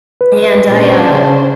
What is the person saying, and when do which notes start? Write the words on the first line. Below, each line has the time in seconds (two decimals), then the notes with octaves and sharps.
and I, uh
0.21 B4
0.67 A#2 C#4 D4 C5
1.09 C#3